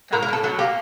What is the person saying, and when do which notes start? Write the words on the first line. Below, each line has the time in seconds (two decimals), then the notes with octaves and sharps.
Tama na!
0.13 A2 A#4
0.23 A#4
0.28 A2 A4
0.43 F#3 A4
0.59 A#3 G4